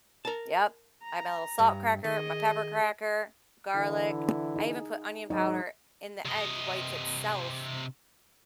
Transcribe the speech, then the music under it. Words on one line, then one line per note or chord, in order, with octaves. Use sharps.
Yep, I have my little salt cracker my pepper cracker, garlic, I even put onion powder in the egg whites itself,
A#4 A5
A#5
G2
D#3 G#4 D#5
D3 E3 E4
D#4 G#4
G#2 F#3 D#4 D#5
C3 D#5